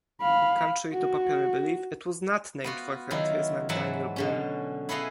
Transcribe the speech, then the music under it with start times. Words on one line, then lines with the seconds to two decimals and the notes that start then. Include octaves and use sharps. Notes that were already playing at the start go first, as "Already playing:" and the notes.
Contrary to popular belief, it was not named for frontiersman Daniel Boone.
0.21 F5 B5
0.93 F#4
2.64 B3 F4 F#4
3.11 D#3 F#3 E4 F4
3.69 G#2 E3 F#3 E5 F#5 A5
4.16 B2 D3 C#4
4.89 E4 G#4 A4 B4 D#5 F5